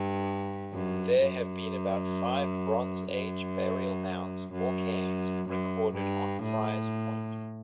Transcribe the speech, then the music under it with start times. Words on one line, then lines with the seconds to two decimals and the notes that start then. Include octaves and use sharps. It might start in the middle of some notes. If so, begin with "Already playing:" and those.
There have been five Bronze Age burial mounds, or cairns, recorded on Friars Point.
Already playing: G2
0.74 F#2
1.21 F#2
3.11 F#2
4.53 F#2
5.49 F#2
5.96 G2
6.43 A2